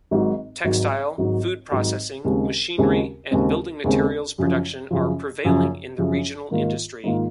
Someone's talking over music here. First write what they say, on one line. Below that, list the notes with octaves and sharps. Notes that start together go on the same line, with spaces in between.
Textile, food processing, machinery, and building materials production are prevailing in the regional industry.
G#1 G#2 F#3
G#1 G#2 F#3
G#1 G#2 F#3
G#1 G#2 F#3
D#2 C#3 G#3 C4
D#2 C#3 G#3 C4
D#2 C#3 G#3 C4
D#2 C#3 G#3 C4
F#2 C#3 F3
F#2 C#3 F3
F#2 C#3 F3
F#2 C#3 F3
G#2 D#3 A#3 F4
G#2 D#3 A#3 F4